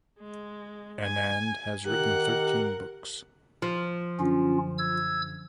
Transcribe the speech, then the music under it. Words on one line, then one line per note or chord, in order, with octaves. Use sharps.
Anand has written thirteen books.
G#3
G#5
D#3 G4 A#4 F#5 F#6
F3
F#2 D3 C#4 F4
E6 G#6